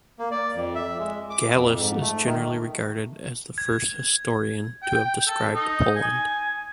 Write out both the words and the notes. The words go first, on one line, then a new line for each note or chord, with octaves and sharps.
"Gallus" is generally regarded as the first historian to have described Poland.
A#3
D5
F2
E5
G#3
D6
F2
G#2
A3
D#3
G#6
G5
A4
D#4
G#5